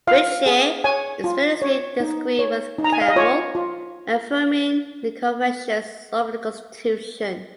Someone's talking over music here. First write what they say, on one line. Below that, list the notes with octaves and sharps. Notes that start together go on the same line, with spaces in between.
Fritzsche explicitly disagreed with Kavel, affirming the Confessions over the constitution.
F4 F5
G#4
C#5 G#5
F4
C#5
D#4
C#5
D#4
A#5
G#5
F5
D#5
F4 C#5
F4